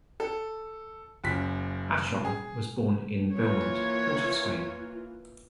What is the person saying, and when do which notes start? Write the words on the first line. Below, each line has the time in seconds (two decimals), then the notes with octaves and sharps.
Achong was born in Belmont, Port of Spain.
0.20 A4
1.24 F#1 F#2 B6
2.25 G#4
3.34 E3 A#3 F4 C#5